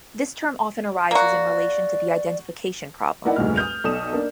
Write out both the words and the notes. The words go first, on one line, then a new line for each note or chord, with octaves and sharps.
This term often arises in relation to the identification problem.
A#3 F#4 D5
A#3 D#4 E4 D5 F#5
F1 D2 G2 A#2 G#3 F6
D#6 F6 G6 F7
B1 A4 D5 D#6 E7
A#3 D4